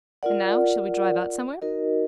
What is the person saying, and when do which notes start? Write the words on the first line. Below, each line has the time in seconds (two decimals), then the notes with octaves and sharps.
And now, shall we drive out somewhere?
0.23 F4 A#4 D5 F#5
1.62 D#4 F#4 A#4 D#5